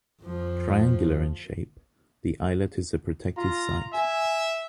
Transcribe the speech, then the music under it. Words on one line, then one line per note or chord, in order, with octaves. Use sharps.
Triangular in shape, the islet is a protected site.
F2 F3
F4 A#5
E5 G#5